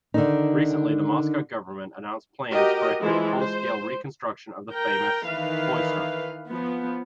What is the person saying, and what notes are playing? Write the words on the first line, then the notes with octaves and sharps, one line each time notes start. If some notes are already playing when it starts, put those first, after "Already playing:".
Recently the Moscow government announced plans for a full-scale reconstruction of the famous cloister.
D3 D#3 D#4
F#4 G4 A#4 D#5
E3 F3 G#3 E4
C5
A#4 G5 A#5
D#3 E3 B4 F5
F3 B3